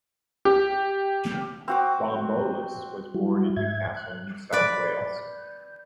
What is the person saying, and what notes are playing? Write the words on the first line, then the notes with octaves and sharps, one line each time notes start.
Bombolas was born in Newcastle, New South Wales.
G4
C4 F#4 D6
F#3 G3 E4 F#4
G#2 E5 G#6
F#6
B4 D5